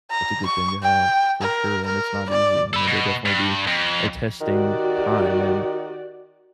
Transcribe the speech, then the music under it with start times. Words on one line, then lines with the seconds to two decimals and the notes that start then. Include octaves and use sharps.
that's a good thing to have, for sure, and it's not easy, and it'll definitely be a testing time, and,
0.11 A#5
0.46 C#6
0.83 G5
1.41 A#4
1.87 A#4
2.29 D5
2.74 A4 B5
2.87 B2
3.26 G2
3.67 F2
4.41 D#3 F#4 G4 D5